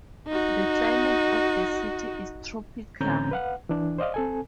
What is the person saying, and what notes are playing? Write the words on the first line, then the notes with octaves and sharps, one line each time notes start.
The climate of the city is tropical.
D#4 F#4
A2 D3 C4 C#4 A#5 G6
B4 F5 F#5
E3 D4
C5 D5 D#5 F5
C4 A4 G#5